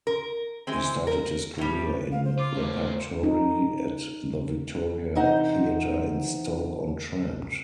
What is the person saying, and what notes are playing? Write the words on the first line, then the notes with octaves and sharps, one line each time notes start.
He started his career in repertory at the Victoria Theatre in Stoke-on-Trent.
A#4
E3 G#3 C4
A#4
A2 G3
F5
C5
F4 D6
A3 F4 C5
D#4
C3 E3 D#4 C5 D#5 F#5